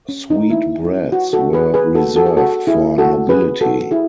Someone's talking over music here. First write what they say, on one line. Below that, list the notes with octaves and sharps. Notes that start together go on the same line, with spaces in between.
Sweet breads were reserved for nobility.
C#4
D#4
E4
F#4
F#4 A4
G#4 B4
G#4 B4
F#4 A4
F#4 A4
G#4
F#4 A4
E4 G#4
F#4 A4
G#4 B4
F#4 A4
E4 G#4